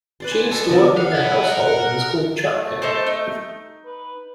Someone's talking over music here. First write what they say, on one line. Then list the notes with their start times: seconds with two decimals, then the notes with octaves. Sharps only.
She used to work in their household and was called Chapko.
0.20 B4 D5 C6
0.31 G#5
0.51 A4 D#5
0.70 D3 F3 B3 A#4
0.97 F5 F#5
1.15 B3 E4
1.50 A#4
2.53 A3
2.82 D#4 A4 C5
3.06 D#4
3.86 B4